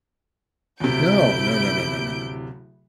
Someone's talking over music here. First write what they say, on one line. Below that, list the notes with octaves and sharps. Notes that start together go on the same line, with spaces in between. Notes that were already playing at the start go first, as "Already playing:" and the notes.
No, no, no, no, no, no, no, no.
D1 C3 E4 G6 D7